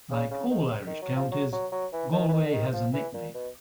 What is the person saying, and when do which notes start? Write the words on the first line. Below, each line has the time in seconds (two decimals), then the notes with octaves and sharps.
Like all Irish counties Galway has a nickname.
0.11 C#3
0.31 C#3
0.50 D#3
0.86 D#3
1.02 F#3
1.16 F3
1.32 F#3
1.53 F#3
1.72 F#3
1.93 E3
2.12 D#3
2.28 E3
2.33 D#3
2.45 D3
2.53 D#3
2.73 F3
2.93 E3
3.14 A#2
3.34 B2